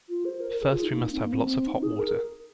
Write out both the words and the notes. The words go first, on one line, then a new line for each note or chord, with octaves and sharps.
First we must have lots of hot water.
F4
C5
A#4
A#4
G#4
F4
D#4
A#3
D#4
C4
A#3
C4
D#4
G#4
A#4